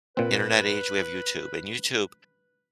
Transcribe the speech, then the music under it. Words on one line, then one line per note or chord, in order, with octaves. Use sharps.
internet age, we have YouTube, and YouTube,
A#2 C4 B4